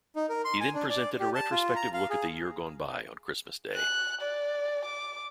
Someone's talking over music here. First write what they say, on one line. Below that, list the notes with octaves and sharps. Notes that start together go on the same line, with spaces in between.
He then presented a retrospective look at the year gone by on Christmas Day.
D#4
A#4
C6
G#5
D4
D5
G4
A5
F4
A#5
F5
G#4
F#6
D5
D6